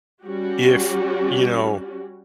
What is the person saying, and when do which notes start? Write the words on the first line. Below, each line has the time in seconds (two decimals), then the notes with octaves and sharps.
if, you know,
0.23 G3 C#4 F#4 G4